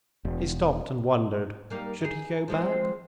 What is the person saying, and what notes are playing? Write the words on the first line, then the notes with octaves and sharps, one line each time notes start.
He stopped and wondered--should he go back?
E1
G3 A#3 D#4
D#4 G#4
F3 G#3 C4